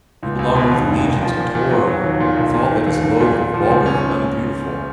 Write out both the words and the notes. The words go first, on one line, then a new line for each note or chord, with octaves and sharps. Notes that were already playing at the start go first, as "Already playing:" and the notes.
You belong with the legions of toil, with all that is low, and vulgar, and unbeautiful.
C#2
C#2
B2
D#2
F1
D#3
F3
A#2
A#2
F#3
F#3
D#2
A#2
B1
A#2
D#3
D#2
D#2
A#2
A#2
F3
C#2
C#4